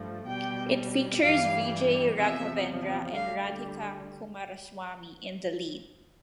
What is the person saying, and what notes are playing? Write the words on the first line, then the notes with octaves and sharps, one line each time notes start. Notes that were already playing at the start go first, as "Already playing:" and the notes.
It features Vijay Raghavendra and Radhika Kumaraswamy in the lead.
Already playing: G2 F3 A3
B2 G3 G5
G2 E3 G3 F5
E2 C3 F3 E5
D2 D3 G3 F5